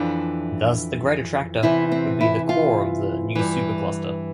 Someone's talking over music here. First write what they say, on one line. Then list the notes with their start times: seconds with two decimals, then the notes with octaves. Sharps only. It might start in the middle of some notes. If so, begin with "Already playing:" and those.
Thus the Great Attractor would be the core of the new supercluster.
Already playing: F2 E3 D4
1.63 E2 C3 E3 E4
1.92 C4
2.21 E4
2.49 F4
3.35 G2 E3